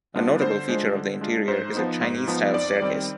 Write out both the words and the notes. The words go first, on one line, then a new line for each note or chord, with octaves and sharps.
A notable feature of the interior is a Chinese style staircase.
G3 B3 D4 F4
D3 C5
G#3 D4 F4
D3
G#3 D4 F4
G#2 C5
F3 B3 D#4
G#2
F3 B3 D#4
F2 D5
D#3 G3 C4